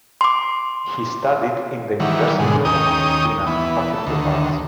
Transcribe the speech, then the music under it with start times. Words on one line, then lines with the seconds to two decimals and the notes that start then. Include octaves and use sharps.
He studied in the University of Pristina, Faculty of Arts.
0.21 C6 D6
2.00 D#3 E3 F#3 G3
2.39 G#2 B2 D3 G#3
2.65 D#2 C#4 D#4 G5 D#6
3.47 E3 B3
3.93 A3
4.06 D2 D#3